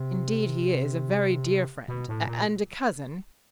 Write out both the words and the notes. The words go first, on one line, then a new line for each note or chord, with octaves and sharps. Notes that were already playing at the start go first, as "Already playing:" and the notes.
"Indeed he is;--a very dear friend and a cousin."
Already playing: C3
B2
A2
A#2